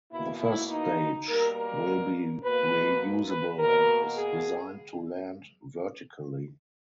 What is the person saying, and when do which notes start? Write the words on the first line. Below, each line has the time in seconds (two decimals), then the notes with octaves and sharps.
The first stage will be reusable and is designed to land vertically.
0.12 B2 A#3 E4
0.41 E4
0.71 D#4
1.28 B2 G3 A#3 A#4
1.56 A#4
2.43 B2 A#3 B4
3.29 B4
3.58 B2 A#3 A#4
4.16 G#4